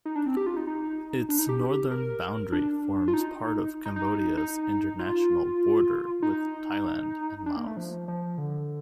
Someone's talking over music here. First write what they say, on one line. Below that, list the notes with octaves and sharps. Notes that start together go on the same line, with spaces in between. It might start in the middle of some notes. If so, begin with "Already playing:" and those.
Its northern boundary forms part of Cambodia's international border with Thailand and Laos.
D#4
D4
C4
G4
F4
D#4
D#4
D4
D#4
G4
A#4
D4
F4
D#4
D#4
D#4
D#4
F4
D#4
D4
A#3
A3
F3
F3
D3